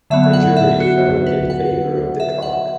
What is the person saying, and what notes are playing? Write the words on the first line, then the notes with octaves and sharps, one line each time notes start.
The jury found in favor of the cock.
D3 F#3 B3 E5
F#5
E5
F#4
B4
F#5
E5
F#5